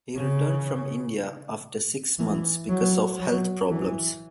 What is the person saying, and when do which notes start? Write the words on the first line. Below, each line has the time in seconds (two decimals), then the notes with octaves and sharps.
He returned from India after six months because of health problems.
0.17 C#3
2.19 E3
2.69 F#3
3.20 F#3
3.70 E3